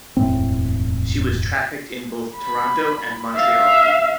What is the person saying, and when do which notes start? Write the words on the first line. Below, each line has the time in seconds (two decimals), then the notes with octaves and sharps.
She was trafficked in both Toronto and Montreal.
0.17 E1 F#2 A2 C4
2.35 B5
3.34 E5 F5